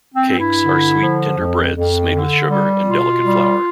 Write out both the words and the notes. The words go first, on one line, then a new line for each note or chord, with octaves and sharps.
Cakes are sweet tender breads made with sugar and delicate flour.
C4
G2
E4
D3
F3
F2
F2
D3
G3
B2 F4
G3